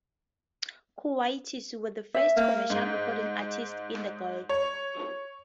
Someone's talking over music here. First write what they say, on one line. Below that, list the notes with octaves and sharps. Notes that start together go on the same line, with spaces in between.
Kuwaitis were the first commercial recording artists in the Gulf.
E5
A#3
G#2
C#5